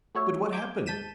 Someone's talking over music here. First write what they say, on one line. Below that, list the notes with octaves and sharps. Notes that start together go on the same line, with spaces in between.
'But what happened?
A3 F#4 C#5 E5
D6 G6 G#6
G#2 A5 G6 B6 D#7 E7